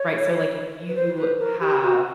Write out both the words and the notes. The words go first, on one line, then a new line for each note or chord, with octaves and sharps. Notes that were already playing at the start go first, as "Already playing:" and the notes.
Right, so, like, if you have
Already playing: C#5
B4
C5
B4
A#4
G4
F#4